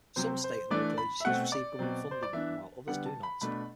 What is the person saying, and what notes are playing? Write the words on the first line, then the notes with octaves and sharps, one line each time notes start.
Some state and local agencies receive government funding, while others do not.
C3 F#3 C4 C5
C5
E3 A3 D4 D5
B5
E5
B2 A3 C4 F#5
D5
B2 F#3 C4
C5
D5
E3 B3 D4 E5
D3 G3 B3 F#5
A5
B5
B2 A3 D4 B5